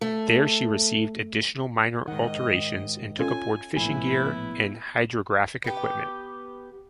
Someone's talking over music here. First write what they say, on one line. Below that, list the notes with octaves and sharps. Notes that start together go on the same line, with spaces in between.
There she received additional minor alterations and took aboard fishing gear and hydrographic equipment.
A3
G#2 D#3 D#5 F#5
C#4 F4 A4 G#5
A#1 A2 B3 E4 G#5
B3 G4